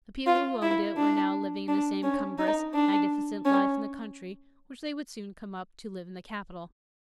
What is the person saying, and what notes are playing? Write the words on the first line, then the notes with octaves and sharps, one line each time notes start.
The people who owned it were now living the same cumbrous, magnificent life in the country which they would soon come up to live in the capital.
F4
E4
D4
D4
C#4
D#4
D4
C#4